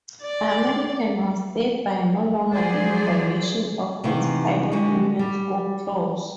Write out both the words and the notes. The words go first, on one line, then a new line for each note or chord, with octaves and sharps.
American was thereby no longer in violation of its pilot union scope clause.
D5
F3 F#3 G#4 C5 D5
C3 D#3 E3 F#4 F5
D3 G#3 F#4 G4
G3